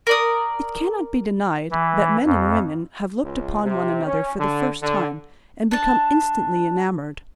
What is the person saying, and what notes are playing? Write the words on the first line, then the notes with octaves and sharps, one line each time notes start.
It cannot be denied that men and women have looked upon one another for the first time and become instantly enamored.
A#4 D5 D#6
E3
F2
C#2
C3
C#4
D3
D3
D4 A5